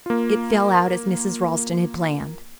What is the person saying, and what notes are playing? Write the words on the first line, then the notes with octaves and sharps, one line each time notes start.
It fell out as Mrs. Ralston had planned.
A#3 F4